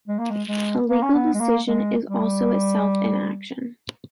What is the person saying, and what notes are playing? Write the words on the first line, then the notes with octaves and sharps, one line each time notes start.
A legal decision is also itself an action.
G#3
A#3
G#3
G#3
A#3
C#4
B3
G#3
A#3
G#3
G3